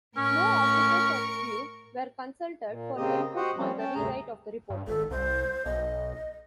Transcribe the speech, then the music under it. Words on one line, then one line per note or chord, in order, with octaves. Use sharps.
No officers or crew were consulted for input on the rewrite of the report.
A2 C#4 A#4 C#6
A#2
C#3 A#3 C4 G4 D#5
F#4 G4 C5 D#5 F#5
F3 G3 C4 C#4
C#4 G5 A5
D2 G2 C3 A3 G#4 A#5
G2
G#1 A4
C2 C5
B1 D#5